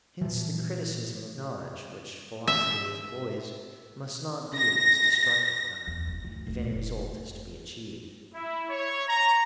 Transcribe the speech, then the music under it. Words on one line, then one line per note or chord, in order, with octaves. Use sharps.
Hence the criticism of knowledge which philosophy employs must not be of this destructive kind, if any result is to be achieved.
A#2 E3 F3
E5
A#6
E2
F#1
D2
D1 G#1
F1
E4
C#5
A#5